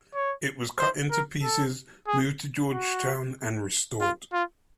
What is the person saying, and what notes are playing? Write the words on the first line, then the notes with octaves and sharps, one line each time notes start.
It was cut into pieces, moved to Georgetown, and restored.
C#5
C5
A#4
A4
G#4
F#4
F4
F4